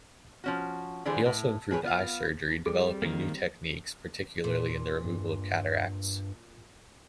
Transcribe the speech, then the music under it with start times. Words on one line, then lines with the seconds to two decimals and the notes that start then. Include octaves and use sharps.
He also improved eye surgery, developing new techniques, particularly in the removal of cataracts.
0.44 F3 C#4 F#4
1.06 D3 E3 G3 D4 G#4 C5
1.26 A2
1.71 A2 G#4 B4 C#5
1.83 B3 F4 F5
2.66 G3 C4 G#4 A4
3.02 D#3 A#3
4.44 A#2
5.05 G2